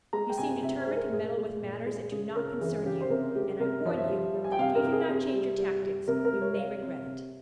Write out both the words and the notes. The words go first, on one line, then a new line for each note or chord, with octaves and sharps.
You seem determined to meddle with matters that do not concern you, and I warn you that if you do not change your tactics you may regret it.
G#3 A#5
G5
C3 G#5
C3 E5
C5
G#3
A#4
A#2 G#4
G#3
A#2
G#3
C#3 G#4
C#3 A#4
E3 G#4
C#3 G4
C5
C3 A#4
G#3 G4
C3 A#4
F3 C#5
E5
G3
G3
G#5
G5
C3 F5
A#4
C3
G#4
C3 G#4
G3
G3
G3
C3 A#4
A#4
G3
C#5
G3 F5
C3
C3